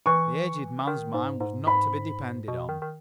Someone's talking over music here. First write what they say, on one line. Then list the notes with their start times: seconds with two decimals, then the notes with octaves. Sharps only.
The aged man's mind was not to be depended on.
0.06 E3 C#6
0.87 D#3
1.14 G#2
1.41 G#2
1.67 G#2 B5
2.48 B2
2.69 D#3
2.82 D#3